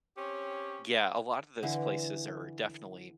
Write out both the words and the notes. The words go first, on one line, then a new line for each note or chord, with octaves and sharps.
yeah, a lot of those places are definitely,
C4 C#4 G4 C#5
D3 E3